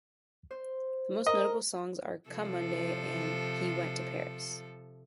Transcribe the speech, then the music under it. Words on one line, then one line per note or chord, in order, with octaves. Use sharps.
The most notable songs are "Come Monday" and "He Went to Paris".
C5
A#4 D#5
C3 F3 A4